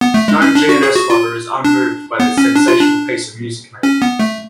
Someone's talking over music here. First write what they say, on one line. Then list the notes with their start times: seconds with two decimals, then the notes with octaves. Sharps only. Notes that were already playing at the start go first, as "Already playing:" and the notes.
No G and S lover is unmoved by this sensational piece of music making.
0.01 B3
0.14 A3
0.28 G#3
0.42 C#4
0.55 D4
0.69 F#4
0.83 G#4
0.96 F#4
1.10 F4
1.65 D4
2.20 B3
2.38 C#4
2.56 D4
2.68 F4
2.81 D4
3.83 C#4
4.02 B3
4.20 A3